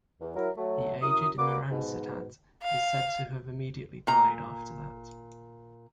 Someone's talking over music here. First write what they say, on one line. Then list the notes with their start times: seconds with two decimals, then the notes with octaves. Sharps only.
The aged Mihransitad is said to have immediately died after that.
0.21 E2
0.36 F#3 E4 A#4
0.57 F#3 A3
1.02 F#2 E4 A#4 D#6
1.38 A#3 F#4 B4 D5 D6
1.70 G#2 B2
2.63 F5
4.07 A#2 A#5